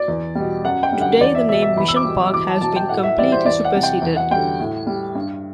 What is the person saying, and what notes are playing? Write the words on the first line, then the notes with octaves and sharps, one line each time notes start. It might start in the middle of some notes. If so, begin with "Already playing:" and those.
Today, the name Mission Park has been completely superseded.
Already playing: D5
E2
B2 G3
F#2 F#5
G5
D3 G3
F#5
E2 D5
E5
B2 F#3 E5
E5
E2 B5
E6
D6
B2 G3
E2 D6
A5
B2 F#3 A5
G5
A2 F#5
E5
E3 G3 D5
C5
E2 D5
F#5
C3 G3
G5
E2
F#5
D3 G3 G5
A2
G3
G2